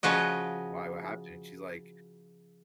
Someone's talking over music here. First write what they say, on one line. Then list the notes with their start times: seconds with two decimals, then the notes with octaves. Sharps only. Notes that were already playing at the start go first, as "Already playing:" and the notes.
why, what happened?" and she's like,
0.03 C#3 F3 F#4 D#5